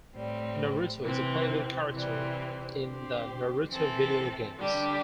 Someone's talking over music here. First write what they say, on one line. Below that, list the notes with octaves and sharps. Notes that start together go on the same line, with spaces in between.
Naruto is a playable character in the "Naruto" video games.
A2 G3 C4
C3 E3 C4
C3 E3 G3 C4
D3 C4 G4
E3 C4 A4
D3 G3 D4 G4